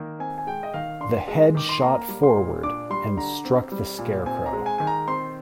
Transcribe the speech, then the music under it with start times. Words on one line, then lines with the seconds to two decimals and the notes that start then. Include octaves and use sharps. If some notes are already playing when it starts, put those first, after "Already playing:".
The Head shot forward and struck the Scarecrow.
Already playing: D#3 A#3
0.19 C4 G#5
0.38 G#5
0.47 G#3 G5
0.63 D#5
0.74 D#3 F5
1.00 D4 C6
1.28 G#3
1.55 D#3 D6
1.69 C6
1.81 A#3 A#5
2.09 G3
2.23 C6
2.36 A#2
2.63 D4 D6
2.90 G3 C6
3.17 D3 A#5
3.45 C4
3.72 G3
3.98 A#2
4.25 C4 G#5
4.46 A#5
4.53 G#3
4.66 G#5
4.78 D#3 G#5
4.87 A#5
5.08 C4 C6